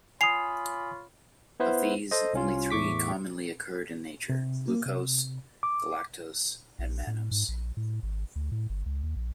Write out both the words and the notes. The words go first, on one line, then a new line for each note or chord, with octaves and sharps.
Of these, only three commonly occur in nature: -glucose, -galactose, and -mannose.
F4 C#5 G#5 B5 D#6 C7 F7
B3 E4 B4 C5
A4 C5 D#5
C2 C#4 F4
E2 A2 C#6 D6 B6
C3
A#3
C3
D6
A#1
A2
G#2
A#1
A2
G#1
D2
A2
G1
C#2
D#2
A#1